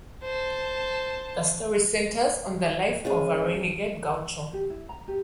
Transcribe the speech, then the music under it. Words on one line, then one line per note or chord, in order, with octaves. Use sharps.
The story centers on the life of a renegade gaucho.
C5 A5
G#3 C#4 G#4
G4
E4
A#5
G4